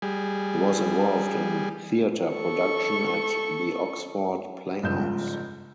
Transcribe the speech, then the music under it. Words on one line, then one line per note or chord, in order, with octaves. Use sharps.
He was involved in theatre production at the Oxford Playhouse.
G3 G#4
A4 C#6
G1 G#2 C#3 F3 G6 E7